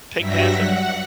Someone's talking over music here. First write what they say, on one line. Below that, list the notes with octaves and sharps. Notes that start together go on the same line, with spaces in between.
The Pink Panther?
G2 F#3 G3 E5 A#6 B6
F#5